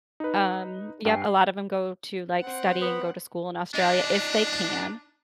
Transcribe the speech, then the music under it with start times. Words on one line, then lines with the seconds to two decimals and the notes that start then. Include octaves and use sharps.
Um, yep, a lot of 'em go to, like, study and go to school in Australia, if they can.
0.20 D#4 B4
1.05 G2 G4 G5 G#5 C7
2.41 C4 F#5
2.81 B3
3.74 D4 D#4 D5